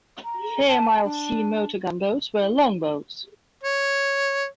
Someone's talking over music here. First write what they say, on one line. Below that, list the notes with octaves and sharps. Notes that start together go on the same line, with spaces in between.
Fairmile C motor gun boats were long boats.
A#5
A5
D4
C#5